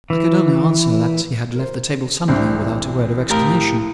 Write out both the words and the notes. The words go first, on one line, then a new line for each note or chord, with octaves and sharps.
I could only answer that he had left the table suddenly, without a word of explanation.
E3
A#4 C5
C2 E3 C4 D4 E4
A2 G4 A#4 F5 D#6